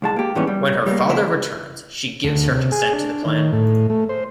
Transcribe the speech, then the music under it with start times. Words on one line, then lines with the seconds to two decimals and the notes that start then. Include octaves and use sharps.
When her father returns she gives her consent to the plan.
0.02 C2 G#3 A5
0.16 A#3 G4
0.35 G#2 E3 G3 B3 C#4
0.47 G3
0.86 G3 A#3
1.09 C#2 C#3 G#3 A#4 C5 E5
2.24 D2
2.51 C3
2.72 G#4
2.93 D4
3.26 D#3
3.53 A2
3.90 A3
4.09 C5